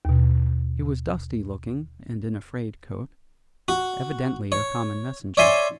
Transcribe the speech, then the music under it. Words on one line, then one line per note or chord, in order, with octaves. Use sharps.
He was dusty-looking and in a frayed coat, evidently a common messenger.
D#2 B2
F#4
C#5
C#5 D5 E5 G#5 C6